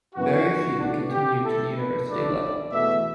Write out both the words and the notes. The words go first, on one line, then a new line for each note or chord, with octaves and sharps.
Very few continue to the university level.
F#2 E3 B3 F#4
A2 E3 B3 D4
G4
B2 A3 E4 A4
B4
E2 D3 F#3 A3 D4 D5
E2 B2 A3 E5